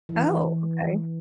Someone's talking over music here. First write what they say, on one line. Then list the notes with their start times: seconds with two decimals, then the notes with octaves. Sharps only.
Oh, okay.
0.09 E3